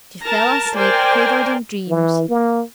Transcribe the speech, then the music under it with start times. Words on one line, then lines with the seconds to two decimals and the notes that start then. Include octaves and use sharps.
She fell asleep cradled in dreams.
0.22 A#4 A5 A#5
0.75 A#4 C5 D5 G5 G#5
1.88 E3
2.29 A#3